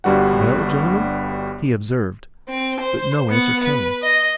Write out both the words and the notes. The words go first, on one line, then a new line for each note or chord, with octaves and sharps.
"Well, gentlemen?" he observed, but no answer came.
G1 G2 G3 F#4 F#5
C4
C5
B3 F#5
B4
D#5